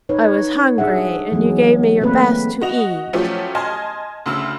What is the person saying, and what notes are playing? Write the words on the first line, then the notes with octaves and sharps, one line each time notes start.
I was hungry, and you gave me your best to eat.
D#4 B4 C#5
G3 D4 G#4 E5 F#5
E3 F#3 G#3 B3
A3 A#3 C4 B4
F#4 D#5 F7
F3 F#3 A3 C#4 G4
D#5 G#5 A5 C6 F6
D2 C#3 E6